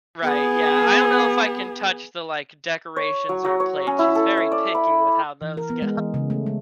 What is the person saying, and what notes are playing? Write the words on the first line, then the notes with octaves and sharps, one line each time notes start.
Right, yeah. I don't know if I can touch the, like, decorations or plates. She's very picky with how those go.
B3 G#4
C#5
F#3
F#3
C#5
C#4
E4
A4
E5
D5
B5
E3
A#4
B3
G#3
E3
C#3
A3
G#3